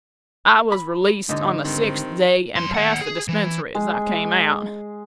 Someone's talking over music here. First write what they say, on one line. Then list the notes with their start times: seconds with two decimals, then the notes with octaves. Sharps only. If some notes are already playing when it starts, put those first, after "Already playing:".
I was released on the sixth day and passed the dispensary as I came out.
0.72 B5
1.29 D#2 G#2 D3 D#4
1.64 G2 D#3 C4
2.56 F#2 C6
2.75 D#2 F#5
3.01 G#4
3.28 E3
3.75 G#3